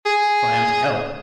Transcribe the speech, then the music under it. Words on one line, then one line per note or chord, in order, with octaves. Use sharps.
"If I am to help...."
G#4